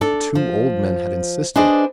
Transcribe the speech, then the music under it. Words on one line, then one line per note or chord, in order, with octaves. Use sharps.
The two old men had insisted.
D4 A4
F3
D4 G#4 B4 C5 D5 D#5